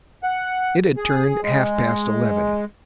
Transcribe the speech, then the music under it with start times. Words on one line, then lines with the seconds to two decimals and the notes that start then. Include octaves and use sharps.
It had turned half-past eleven.
0.23 F#5
0.97 G#4
1.43 G#3